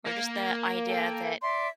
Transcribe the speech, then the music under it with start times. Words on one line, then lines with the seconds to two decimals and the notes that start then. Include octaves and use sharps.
or just the idea that
0.07 A#3
0.87 A4 G5
1.41 D5 E5 C6